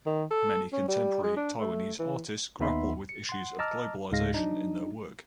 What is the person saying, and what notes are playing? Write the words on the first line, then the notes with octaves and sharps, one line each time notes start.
Many contemporary Taiwanese artists grapple with issues of globalization in their work.
D#3
A4
C#4
G3
G#3
D4
A3
E3
D#2 B3 D#4 E5 B5 C6
C#7
F#5 C6
D#5 A5 A#5 D6 E6 F6
C#2 G#2 G#3 F5 A#6
F#3 D4 D#4